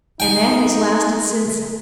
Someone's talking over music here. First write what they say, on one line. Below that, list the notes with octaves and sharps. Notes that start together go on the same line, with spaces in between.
"And that has lasted since--?"
D#4 G5 G#5